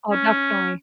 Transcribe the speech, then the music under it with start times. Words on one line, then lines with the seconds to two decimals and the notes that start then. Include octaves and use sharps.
Oh, definitely.
0.11 C#4